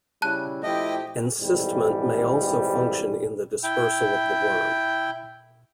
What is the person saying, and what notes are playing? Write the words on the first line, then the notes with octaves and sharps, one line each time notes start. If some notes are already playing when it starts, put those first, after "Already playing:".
Encystment may also function in the dispersal of the worm.
C#3 G3 E4 A5 F#6
F3 A3 E4 G4 D#5 G5
A1 F2 G#2 G3
E4 G5